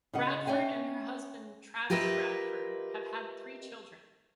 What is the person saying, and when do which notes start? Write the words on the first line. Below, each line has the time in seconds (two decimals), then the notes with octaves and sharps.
Bradford and her husband Travis Bradford have three children.
0.13 C#3 F#4 D#5 F#5
0.47 C#4 E5 G5 G#5
1.90 F4 G4 A#4 B4 D#5 E5